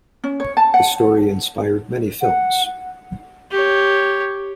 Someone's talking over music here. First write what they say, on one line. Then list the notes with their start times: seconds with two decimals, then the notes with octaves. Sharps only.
The story inspired many films.
0.24 C#4
0.40 C#5
0.57 A5
0.74 F#5
2.22 F#5
3.51 G4 C#5